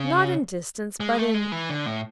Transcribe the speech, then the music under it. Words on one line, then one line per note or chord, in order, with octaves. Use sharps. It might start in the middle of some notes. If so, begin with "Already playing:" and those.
'Not in distance, but in--.
Already playing: C#3
G#3
A3
G#3
E3
D3
A2